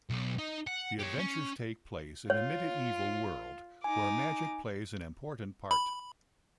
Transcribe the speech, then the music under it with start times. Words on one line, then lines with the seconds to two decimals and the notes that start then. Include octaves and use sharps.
The adventures take place in a medieval world where magic plays an important part.
0.10 B1
0.39 D#4 D#5
0.67 F#5
0.99 G4 C#5
1.18 C#4
2.30 F4 C#5
3.84 D#4 G#5 D6
5.71 B5